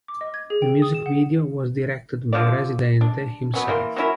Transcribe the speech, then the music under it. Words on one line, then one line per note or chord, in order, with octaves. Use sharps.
The music video was directed by Residente himself.
D6
D#5
G#6
G#4
G5
D#6
E7
F#5
D3 F3 F4 D5
D4
F#3 B3 C#4
E3 A#3 C6
F#3 C#4 E4 A#4